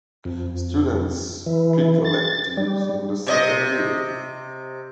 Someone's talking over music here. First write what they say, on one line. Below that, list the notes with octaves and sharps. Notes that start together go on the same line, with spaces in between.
Students pick electives in the second year.
F2
E3
A6
G3
C3 C#5 D#5